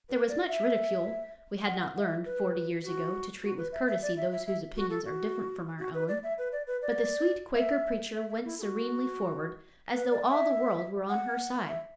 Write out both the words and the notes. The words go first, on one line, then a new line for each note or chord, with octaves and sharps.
There was much ridicule,--we had not learned, forty years ago, to treat with courtesy those whose opinions are different from our own,--but the sweet Quaker preacher went serenely forward, as though all the world were on her side.
B4
D5
E5
F#5
F#5
E5
B4
F#4
F#4
B4
E5
E5
D5
E5
E5
E5
F#4
A4
F#4
F#4
B4
D5
E5
B4
D5
B4
D5
E5
E5
E5
E4
A4
F#4
B4
D5
F#5
E5
F#5
E5